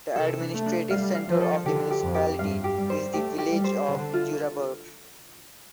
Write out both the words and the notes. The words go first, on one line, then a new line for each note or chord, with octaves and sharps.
The administrative centre of the municipality is the village of Judaberg.
C3 A4
D4
A3
D4
G3 F5
F5
F3
A4
D3 G4
G4
F2
G4
G2 F5
G4
G3
C5
A3 G4
G4
G3
C5
D3 C5
F4